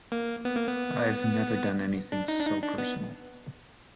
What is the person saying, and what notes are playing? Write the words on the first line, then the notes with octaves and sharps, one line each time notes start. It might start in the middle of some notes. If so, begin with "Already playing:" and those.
I've never done anything so personal.
A#3
B3
A#3
B3
D4
D#4
D4
D#4
D4
B3